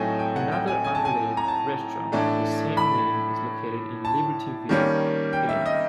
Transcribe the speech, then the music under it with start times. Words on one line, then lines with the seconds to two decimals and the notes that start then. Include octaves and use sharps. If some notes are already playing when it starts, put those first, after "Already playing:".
Another unrelated restaurant of the same name is located in Libertyville, Illinois.
Already playing: A2 F#3 A3 C4 D#4 G5 G#5
0.19 G5
0.36 F#5
0.52 G5
0.67 G#5
0.84 G#5
0.95 A5
1.05 G#5
1.37 A#5
1.48 A5
2.12 A2 E3 A3 D4
2.77 B5
4.05 A5
4.69 D#3 G3 A#3 C#4
5.33 G5
5.49 E5
5.66 D#5